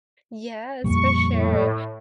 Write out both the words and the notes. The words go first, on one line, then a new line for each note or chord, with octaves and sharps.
Yes, for sure,
F2 A#2 G3 C#6
A2